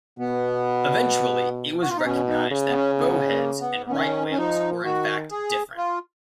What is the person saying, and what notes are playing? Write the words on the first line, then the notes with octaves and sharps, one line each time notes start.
Eventually, it was recognized that bowheads and right whales were in fact different.
B2 B3
F#4
F4
D#4
B2 C#4
D#4
C#3
B3
C#4
B3
A#3
B3
B3
D#3 C#4
C#4
F3 D#4
D#3 F#4
G#4
F4